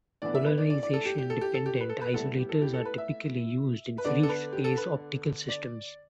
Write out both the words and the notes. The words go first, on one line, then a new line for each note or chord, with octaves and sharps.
Polarization dependent isolators are typically used in free space optical systems.
A2 E3 B3 D4 D5
E5
B4
D5
D5
D5
A4
G4
G4
A4
G4
A4
G4
B4
A4
B4
A2 G3 B3 E4 A4
G4
A4
G4
A4
B4
E5
B4
D3 B3 D4 D5
A4
B4
G4
A4
B4
D5